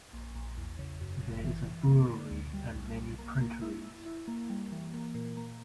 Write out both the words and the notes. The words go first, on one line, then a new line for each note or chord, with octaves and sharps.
There is a brewery and many printeries.
A#1
A#1
E2
C#3
F#2
G1
E3
E3
A#3
D3
D2
G3
B1
B1
A#3
A#3
E4
E4
E4
A#3
G3
E3
A#3
A#2
A#3